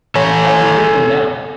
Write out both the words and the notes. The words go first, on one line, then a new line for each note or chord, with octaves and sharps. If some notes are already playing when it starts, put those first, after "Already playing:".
I can hear them now.
A4 C#5 G#5